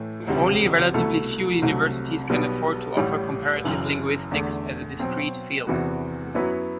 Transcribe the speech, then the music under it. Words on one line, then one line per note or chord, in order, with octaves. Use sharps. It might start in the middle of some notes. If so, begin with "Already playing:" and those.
Only relatively few universities can afford to offer Comparative linguistics as a discrete field.
Already playing: A2 E3 A3
E1 D2 C3 G3
C2 B2 A3 E4 A4
C2 C3 F#3 A3
B1 B2 G3 B3
A1 A2 G3
F#1 F#2 E3
E2 D3 A3
B2 F#3 C4
E2 C3 E3 B3 F#4
F#2 F#3 B3 E4 B4